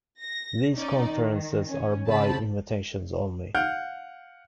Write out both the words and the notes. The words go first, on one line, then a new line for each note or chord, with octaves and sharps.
These conferences are by invitation only.
A#6
C#4 D#4 D5
D#3
C#4
C#3 C4 A5 B5
F5 F#5 F6 G6 D7